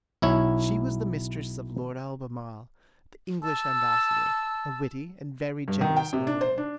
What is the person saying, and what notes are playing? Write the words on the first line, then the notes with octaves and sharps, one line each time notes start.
She was the mistress of Lord Albemarle, the English ambassador, a witty and very generous nobleman.
B1 E4 C#5
A5 E6
G2
D#3
G5
C3
D4
C5
D4